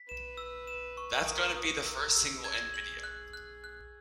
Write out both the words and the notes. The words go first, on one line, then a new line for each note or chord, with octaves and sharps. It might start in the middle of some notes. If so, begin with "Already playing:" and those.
That's gonna be the first single and video.
Already playing: B6
B4 E7
E6
E7
C#6
A#4 D#6
B4 D#6
A#4 E6
G#4 E6
G#4 G#6
F#7
F#6
F#6
F#6